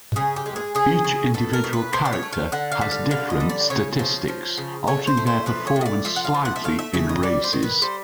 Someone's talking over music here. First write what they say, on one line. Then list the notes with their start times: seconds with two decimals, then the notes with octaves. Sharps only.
Each individual character has different statistics, altering their performance slightly in races.
0.16 C#3 G#4
0.36 G4
0.46 G#3
0.56 G#4
0.75 C#3 G#4
1.04 C#3
1.34 B2 A4
1.53 A#4
1.64 B2
1.73 B4
1.93 B2 C5
2.05 D5
2.13 C#5
2.23 A3
2.33 F5
2.52 D3 F#5
2.71 F5
2.81 G3
2.91 F5
3.11 D3 F5
3.30 D#5
3.40 G3
3.49 D5
3.70 C#3 C#5
3.99 F3
4.28 F3
4.58 C#3
4.87 A3 C#5
5.07 C5
5.17 A3
5.27 C5
5.46 F3 B4
5.67 C#5
5.76 A2
5.81 D#5
5.86 D5
6.05 F3 E5
6.16 F#5
6.25 F5
6.34 F3
6.45 F#5
6.56 E5
6.64 A3 F5
6.79 E5
6.94 C#3 E5
7.09 D#5
7.23 G3 D5
7.44 C5
7.53 D#3
7.63 B4
7.82 G3 C5